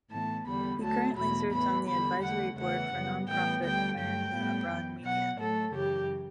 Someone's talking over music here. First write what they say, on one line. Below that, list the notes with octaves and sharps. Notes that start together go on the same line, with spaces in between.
He currently serves on the advisory board for nonprofit America Abroad Media.
A2 E3 B3 A5
E2 D3 G3 B3 B5
D2 D3 F#3 A3 A5
E2 B2 A3 B5
A2 E3 B3 B5
E2 D3 G3 B3 B5
E2 D3 A3 F#5
E2 C#3 E3 A3 F#5
F#2 C#3 G3 B3
A2 E3 G3 B3 G5
D2 D3 G3 G5
G2 F#3 A3 G5
A2 G3 B3
F#2 E3 B3
B2 F#3 B3 F#5
A2 F#3 A3 A4
F#2 C#3 E3 G4